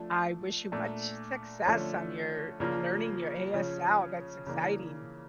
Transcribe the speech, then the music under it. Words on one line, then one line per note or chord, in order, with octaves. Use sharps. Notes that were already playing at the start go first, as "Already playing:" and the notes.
I wish you much s success on your learning your ASL. That's exciting.
Already playing: F3 A3 D4
A#2 A3 D4
D3 F3 A3 C#4
C#3 F3 A#3 D4 F4
C#3 F3 C#4
C#3 E3 A#3 D4